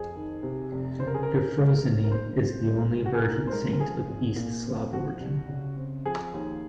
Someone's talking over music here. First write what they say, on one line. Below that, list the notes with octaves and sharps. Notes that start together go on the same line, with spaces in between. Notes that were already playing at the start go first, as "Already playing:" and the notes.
Euphrosyne is the only virgin saint of East Slav origin.
Already playing: F2 G#4
D#3
C3
F1
C#3 C5
A#4
G#4
C4 A#4
G#3
D#2
A#4
A#2 C5
C4
G#3
C2
F#4
G#4
G#2 A#4
C5
G#3 A#4
A#4
F3 G#4
G#1
A#2
C4
F3 F#4
C2
C#3
C4
F3 G#4
D#2